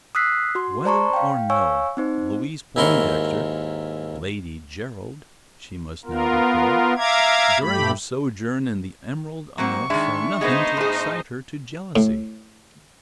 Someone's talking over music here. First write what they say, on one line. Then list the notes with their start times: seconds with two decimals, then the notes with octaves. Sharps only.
Whether or no, Louise Poindexter--Lady Gerald she must now be called-- during her sojourn in the Emerald Isle saw nothing to excite her to jealousy.
0.15 D#6 E6 F#6 B6 C7
0.55 F#4 C6
0.85 C5 D5 A5 A#5 C6 C#6
1.13 F5 G5
1.50 C#5 F5 G#5 C#6 E6
1.97 C4 D#4 C5
2.76 D#2 G#2 E4 A#4 C6 C#6
6.06 B3 F4 A#4
6.97 E5 F5 A#5 D6 G#6
7.59 G2 A3 G4 B5
9.58 F#3 A#3 C4 C#6
9.90 D#3 G#3 D4 E5
10.41 G#3 B3 D#4 C5 D#5
10.77 A2 G#4
11.96 A2